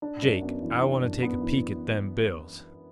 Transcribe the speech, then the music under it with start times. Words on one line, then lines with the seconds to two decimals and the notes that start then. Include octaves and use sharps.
"Jake, I wanta take a peek at them bills."
0.02 D4
0.22 F#2
0.42 B3
0.63 E3
0.81 D4
1.02 F#2
1.22 B3
1.42 E3